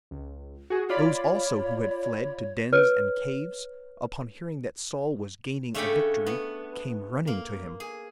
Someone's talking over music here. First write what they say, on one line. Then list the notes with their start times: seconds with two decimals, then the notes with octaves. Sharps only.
Those also who had fled to dens and caves, upon hearing that Saul was gaining a victory, came running to him.
0.11 C#2
0.70 F#4 G#4
0.90 F4 C#5 D5 B5
2.73 B4 C#5 F6
5.74 C#3 A3 D4 C#5 G5 B5
6.26 B3
7.27 A#3
7.80 G#4